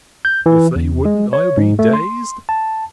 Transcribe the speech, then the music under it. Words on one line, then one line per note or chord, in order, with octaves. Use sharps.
If they wouldn't I'll be dazed!
G6
E3
E2
G#3
C#5
G#2
A3
C6
A5